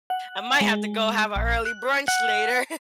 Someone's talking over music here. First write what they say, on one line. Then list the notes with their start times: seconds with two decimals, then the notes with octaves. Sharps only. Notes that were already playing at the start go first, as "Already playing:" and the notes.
I might have to go have an early brunch later.
0.10 F#5
0.61 G#3
1.36 A#1
1.65 F#6
2.08 F#5